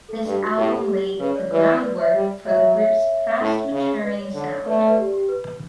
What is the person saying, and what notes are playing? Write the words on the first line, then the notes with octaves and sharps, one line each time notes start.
This album laid the groundwork for the group's fast maturing sound.
A4
G2 G4
F#4
A2 G4
A4
G4
G4
C#3 B4
C#5
D5
C#5
E3 B4 D5
B4 D5
C#5 E5
G3
F#3 C#5 E5
C#5 E5
C#5 E5
A2
C#3
B4 D5
C#5
D3 C#5
C#5
A3 B4 D5
C#5 E5
B4 D5
G4
G4
B4